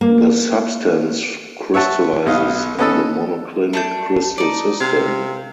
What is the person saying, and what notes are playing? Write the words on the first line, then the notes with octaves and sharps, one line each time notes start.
The substance crystallizes in the monoclinic crystal system.
A#3
C#5 E5 F#5 A5
B1 B3 D#5 F5
B3 C#4 A4 D#5 A5 E6
A3 D4 G6
D#4 D5
C3 F5